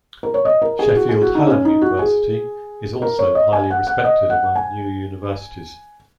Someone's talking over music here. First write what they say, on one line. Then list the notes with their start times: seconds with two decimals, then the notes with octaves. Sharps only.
Sheffield Hallam University is also highly respected among New Universities.
0.23 A#4
0.34 C#5
0.45 D#5
0.62 A#4
0.79 G#4
0.96 F#4
1.09 G#4
1.22 F#4
1.35 D#4
1.47 C#4
1.65 D#4
1.82 F#4
1.99 G#4
3.02 A#4
3.19 C#5
3.35 D#5
3.53 G#5
3.70 F#5
3.87 F#5
4.04 D#5
4.30 F#5
4.56 G#5